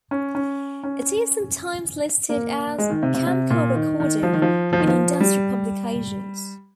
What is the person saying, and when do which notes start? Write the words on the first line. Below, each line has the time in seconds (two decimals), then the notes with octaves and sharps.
It is sometimes listed as "Camcor Recording" in industry publications.
0.11 C#4
0.35 C#4
0.84 C#4
2.29 A#3
2.78 G#3
2.90 D#3
3.03 C3
3.14 C3
3.27 C3
3.50 A#2
3.75 D#3
4.00 D#3
4.23 F3
4.33 D#3
4.42 F3
4.73 F3
4.80 D#3
4.88 F3
5.20 G3